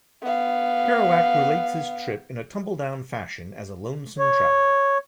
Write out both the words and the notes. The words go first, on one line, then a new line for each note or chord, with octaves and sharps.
Kerouac relates his trip in a tumbledown fashion as a lonesome traveler.
B3 F5
C#5